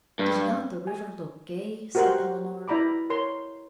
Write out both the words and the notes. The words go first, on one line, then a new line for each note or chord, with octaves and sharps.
"Does not the river look gay?" said Eleanor.
G2
G#5
F#4 G4 A#4 C5 F#5 C6
E4 D5 A#5 B5 D6
A#4 C#5 C6